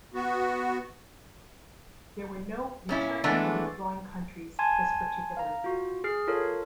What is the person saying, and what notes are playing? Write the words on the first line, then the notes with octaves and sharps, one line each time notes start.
There were no returning or withdrawing countries this particular year.
B3 F#4
A#2 C#4 E4
E3 G#3 A3 B3 D4
G#5 A5 C6 G#6
F5 A#5
F4 F#4
G#4 F6 C7
F4 A4 A#4 C#5